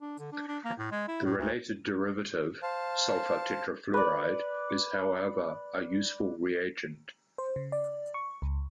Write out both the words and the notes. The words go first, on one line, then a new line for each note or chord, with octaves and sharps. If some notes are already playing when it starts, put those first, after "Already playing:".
The related derivative, sulfur tetrafluoride is however a useful reagent.
D4
D3
D4
D4
A#3
A2
G#3
E4
A2
D2
C5 F5 A5
B4 D5
C5
C#3
D5
C#6
C#2